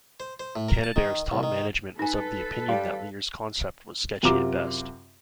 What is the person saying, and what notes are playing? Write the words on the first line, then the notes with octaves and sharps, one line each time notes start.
Canadair's top management was of the opinion that Lear's concept was sketchy at best.
C5
C5
A2
A#4
A5
D#3
C2
D#3
D#4 A4 B4 G#5
G3 F5 C6
F#2 C3 F4 A#5 D6